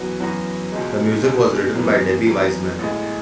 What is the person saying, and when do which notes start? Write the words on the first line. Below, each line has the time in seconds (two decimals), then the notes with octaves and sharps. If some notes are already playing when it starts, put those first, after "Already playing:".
The music was written by Debbie Wiseman.
Already playing: F#2 E3 B3 F#4
0.20 F#2 E3 B3 F#4
0.72 C#2 B2 G#3
1.23 C#2 B2 G#3
1.75 F#2 E3 B3
2.27 F#2 E3 B3
2.79 A1 A2 G#3